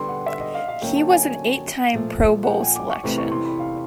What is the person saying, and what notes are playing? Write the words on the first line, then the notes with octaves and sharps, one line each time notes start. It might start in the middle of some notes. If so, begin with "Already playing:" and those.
He was an eight-time Pro Bowl selection.
Already playing: D3 G3 B3 C6
F#5
E5
D#5
F5
F5
D3 F#3 A#3 C#4 G5
A5
G#5
G#5
A#2 F3 A3
F#5
G5
G#5
D6
C#6
E2 C3 E3 A3 C#6
C#6
C6
B5
F5